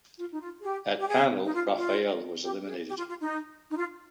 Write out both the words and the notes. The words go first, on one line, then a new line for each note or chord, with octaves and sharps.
At panel Raphael was eliminated.
F4
D#4
F4
G#4
G4
G4
G#4
D#4
F4
F4
G4
G#4
G4
F4
F4
D#4
D#4
F4